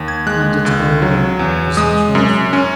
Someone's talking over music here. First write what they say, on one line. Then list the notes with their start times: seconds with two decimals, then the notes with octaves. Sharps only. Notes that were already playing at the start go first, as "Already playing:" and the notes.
"Hand it over," he said roughly.
Already playing: D#2
0.08 G#6
0.27 G#3 F#6
0.65 C#2
1.02 F#3
1.39 E2
1.77 G#3 D#6
2.15 F#2
2.53 C#4